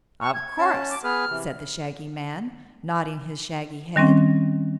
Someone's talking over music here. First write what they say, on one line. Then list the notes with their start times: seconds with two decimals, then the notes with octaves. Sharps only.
"Of course," said the Shaggy Man, nodding his shaggy head.
0.21 C#6
0.34 G#6
0.58 C#4 A5
0.90 D6
1.04 B3 G#4 B4 F6
1.30 C3 E3
3.96 D#3 G3 C4 C#4